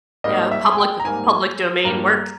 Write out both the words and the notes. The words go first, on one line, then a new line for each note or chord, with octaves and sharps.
Yeah, public with public domain works.
G#2 G3 A#3 D#5
E5
G#5
G5
A#5
G#2 G3 A#3 G#5
G2 G3 A#3 A#5